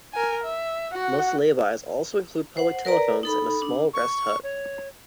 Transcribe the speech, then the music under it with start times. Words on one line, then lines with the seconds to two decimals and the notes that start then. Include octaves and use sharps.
Most laybys also include public telephones and a small rest hut.
0.13 A#4 G#5
0.44 E5
0.92 F#4 F#5
2.57 C5 F#5
2.85 A#4 B4 D5 A#5
3.23 D#4 A4 B5
3.62 D4
3.94 C#6
4.43 C#5